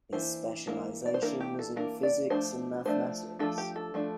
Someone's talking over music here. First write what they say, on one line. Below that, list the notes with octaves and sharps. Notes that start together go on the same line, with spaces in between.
His specialization was in physics and mathematics.
E3 A#3 D4 C5
E3 A#3 D4 A#4
D5
C5
E3 A#3 D4 A#4
G4
A4
E3 A#3 D4 A#4
D5
F3 A3 D4 C5
F3 A3 D4 C5
F3 A3 D4 A4
G4
A4
F3 A3 D4